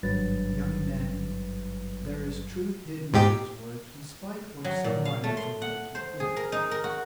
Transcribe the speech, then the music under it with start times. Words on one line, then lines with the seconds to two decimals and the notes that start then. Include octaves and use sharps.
Young men, there is truth hidden in these words, despite what some writers would make you think.
0.03 G#1 G2 F#3 B4 A6
3.14 G#2 G4
4.65 F#3
4.84 A#2
5.05 F5
5.24 A3
5.37 C6
5.62 F#5
5.95 C5
6.20 G#4
6.36 A#4
6.52 D#4
6.71 A#4
6.84 F#4